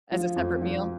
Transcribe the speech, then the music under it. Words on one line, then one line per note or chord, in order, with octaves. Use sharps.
As a separate meal?
F3
F2
F3